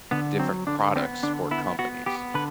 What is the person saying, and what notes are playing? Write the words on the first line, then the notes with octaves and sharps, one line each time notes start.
different products for companies,
D3 B3
F#3 C4
D3 D4
B3 C4
D3 D4
B3 E4
B3 F#4
B3 G4
D3 B4